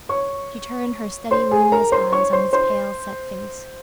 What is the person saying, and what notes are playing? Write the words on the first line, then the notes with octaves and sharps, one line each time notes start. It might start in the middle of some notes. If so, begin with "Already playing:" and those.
She turned her steady luminous eyes on his pale, set face.
C#5 C#6
C5 C6
G#4 G#5
A#4 A#5
C5 C6
C#5 C#6
C5 C6
C5 C6